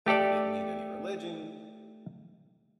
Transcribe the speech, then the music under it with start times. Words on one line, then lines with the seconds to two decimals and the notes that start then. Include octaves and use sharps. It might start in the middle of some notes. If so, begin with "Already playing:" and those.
that we didn't need any religion,
0.06 A3 G4 A4 D5